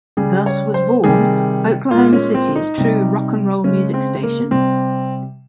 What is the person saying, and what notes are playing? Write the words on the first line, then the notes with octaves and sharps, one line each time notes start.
Thus was born Oklahoma City's true "Rock N' Roll" music station.
C#3 G3 G#4
C#5
C5
C3 D#3 G3 G#4
A#2 G#3 F4
C#4
C4
D#4
C3 G3
C#3 G#3 C#4
C4
A#3
C3 G3 C4